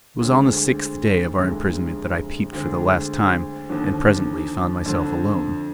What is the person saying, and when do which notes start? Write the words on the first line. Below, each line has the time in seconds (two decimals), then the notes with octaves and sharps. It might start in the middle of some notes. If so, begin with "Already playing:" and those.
It was on the sixth day of our imprisonment that I peeped for the last time, and presently found myself alone.
0.20 D2 D3 G#3 C4
1.38 F1 F2 D3 G#3
2.52 D2 D3 G#3 C4
3.69 D#2 D3 F3
4.86 F2 D3 F3